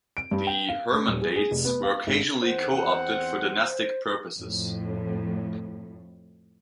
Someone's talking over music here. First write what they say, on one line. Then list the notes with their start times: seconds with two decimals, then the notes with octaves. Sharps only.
The "hermandades" were occasionally co-opted for dynastic purposes.
0.17 D7
0.31 G2
0.47 G5
0.69 F5
0.92 A3
1.08 D#1
1.22 G#4
1.36 G#4
1.51 F1
1.65 B3
1.83 F5
2.07 G#1
2.42 E2 C4 C5 F#5
4.37 F2 A2